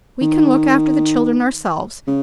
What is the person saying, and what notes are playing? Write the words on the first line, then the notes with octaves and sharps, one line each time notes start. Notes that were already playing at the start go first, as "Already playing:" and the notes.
We can look after the children ourselves.
D#3
C#3